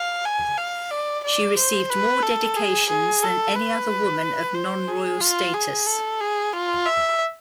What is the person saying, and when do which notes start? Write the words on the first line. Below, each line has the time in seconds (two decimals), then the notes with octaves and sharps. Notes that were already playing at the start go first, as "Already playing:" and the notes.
She received more dedications than any other woman of non-royal status.
Already playing: F5
0.25 G#5
0.57 F5
0.91 D5
1.24 D5
1.57 C5
1.90 B4
2.23 A4
2.56 G#4
2.89 G#4
3.22 A4
3.56 B4
4.54 C5
4.88 G#4
5.20 F4
5.54 G#4
5.87 A4
6.20 G#4
6.53 F4
6.86 E5